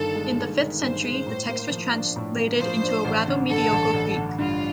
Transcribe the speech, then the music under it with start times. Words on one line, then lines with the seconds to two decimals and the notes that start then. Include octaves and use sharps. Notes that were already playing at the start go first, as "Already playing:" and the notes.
In the fifth century, the text was translated into a rather mediocre Greek.
Already playing: G1 G2 D#3 A4
0.15 G#3
0.37 G1
0.60 D#3
0.82 G2 C5
1.04 G#3
1.26 A2
1.49 A#3
1.71 F3
1.93 D4
2.16 A2
2.38 A#3
2.60 F3 C5
2.82 D4
3.05 A1
3.27 D3
3.49 G2 A4
3.72 A1
3.94 A1
4.16 D3
4.39 G2 F4